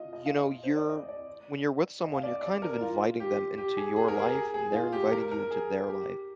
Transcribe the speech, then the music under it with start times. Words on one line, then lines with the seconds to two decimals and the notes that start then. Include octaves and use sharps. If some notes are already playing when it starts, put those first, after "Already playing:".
y you know, you're when you're with someone, you're kind of inviting them into your life, and they're inviting you into their life,
Already playing: F4 D#5
0.13 D#5
0.26 F5
0.38 D#5
0.64 C5
0.76 D5
0.89 D#5
1.08 D5
2.04 D#5
2.14 F5
2.23 D5
2.43 D5
2.62 A#4
2.81 F4
3.20 G4
3.58 G4
3.77 G#4
3.96 G#4
4.08 A#4
4.19 G#4
4.35 G#4
4.54 G#4
4.73 F4
4.93 G4
5.11 A#4
5.31 A#4
5.51 G#4
5.88 G4